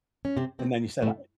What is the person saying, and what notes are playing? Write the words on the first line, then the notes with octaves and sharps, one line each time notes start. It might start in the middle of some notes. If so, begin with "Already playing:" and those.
and then you said I
C#4
C3 C4
C3 C4
A2 A3